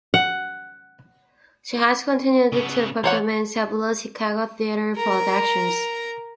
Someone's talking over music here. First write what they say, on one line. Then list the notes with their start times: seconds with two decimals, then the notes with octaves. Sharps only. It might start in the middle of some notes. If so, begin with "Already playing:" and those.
She has continued to perform in several Chicago theatre productions.
0.14 F#5
2.52 C#3 B3
3.04 E3 C5 C#5 F#5
4.95 A#4 A#5